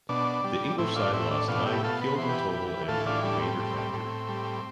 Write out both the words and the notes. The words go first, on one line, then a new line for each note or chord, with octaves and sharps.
The English side lost nine killed in total and the remainder captured.
B2 D4
G3
A2 C4 E4
D4 F4
A2 C4 E4
D4
B2 D4 F4
E4 G4
B2 F4 A4
B4
E3 C5
G4 B4
E3
A2 F4 A4
D4 F4
G3 D4
C4
A2
A2
G3